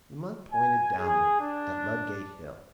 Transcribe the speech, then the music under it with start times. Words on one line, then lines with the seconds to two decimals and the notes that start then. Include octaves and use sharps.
The monk pointed downward at Ludgate Hill.
0.52 G#5
0.98 G#4
1.41 D4